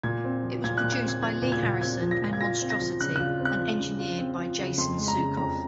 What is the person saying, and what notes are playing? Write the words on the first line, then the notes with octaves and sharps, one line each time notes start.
It was produced by Lee Harrison and Monstrosity and engineered by Jason Suecof.
A#2 G#6
C4
F3
A#2 G#6
F#6
A#2
G#6
C4 G#6
F3 G#6
A#2
G#6
A#2
C4 G#6
F3
A#6
A#2
G#6
F4 A#6
C4
A#6
F3
C#3 F#6
F#6
F4
C4
F#6
F3
C#3
F4
C4
F3
C#3
F2 C6
G#3
A#5
C#3
F2 A#5